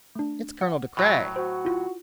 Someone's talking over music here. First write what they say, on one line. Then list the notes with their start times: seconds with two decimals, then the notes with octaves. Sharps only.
"It's Colonel De Craye."
0.15 A3 D4
0.61 F#5
0.97 A2 F#3
1.36 F#4 C5
1.65 E4 F4